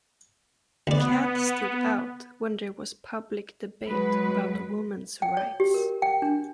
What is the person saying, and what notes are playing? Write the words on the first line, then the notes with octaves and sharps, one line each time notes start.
Canth stood out when there was public debate about women's rights.
D2 B3 D5
F#3 G#3 B4
G5
C#5
G4
A#4
G5
D4